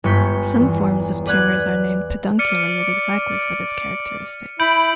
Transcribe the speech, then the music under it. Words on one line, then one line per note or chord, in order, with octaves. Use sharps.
Some forms of tumors are named pedunculated exactly for this characteristic.
G1 G#3 C#6 G6 B6
E2
B4 D5 F#5 F#6 G#6
D5 F6 C#7 D#7
E4 B5 G6 D7 F#7